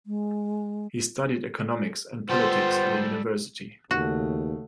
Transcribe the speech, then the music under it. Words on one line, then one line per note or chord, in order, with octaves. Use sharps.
He studied economics and politics at a university.
G#3
G3 B3 F4 A4 C5
D#2 C#3 A3 F#4